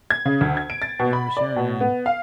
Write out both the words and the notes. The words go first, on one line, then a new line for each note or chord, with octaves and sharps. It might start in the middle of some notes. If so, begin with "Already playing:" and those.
Thank you for sharing, and
G#6
C#3
D2
G#6
D7
A6
B2
B5
D5
B2
B3
F5